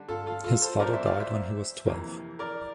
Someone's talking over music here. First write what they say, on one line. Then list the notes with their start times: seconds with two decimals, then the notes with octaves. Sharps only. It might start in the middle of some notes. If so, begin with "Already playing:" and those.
His father died when he was twelve.
Already playing: D3 G3 D4
0.08 F4 A4
0.26 F4 A4
0.44 F4 A4
0.61 A4 C5
0.80 A#2 F3 C4 A#4 D5
0.93 C5 E5
1.06 D5 F5
1.20 C5 E5
1.86 F2 C3 E3 A#3
2.39 A#4 D5